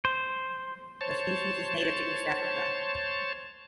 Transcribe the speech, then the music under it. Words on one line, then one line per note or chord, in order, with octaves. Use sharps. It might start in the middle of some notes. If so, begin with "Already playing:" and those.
The species is native to East Africa.
C5
C5 C#5 A5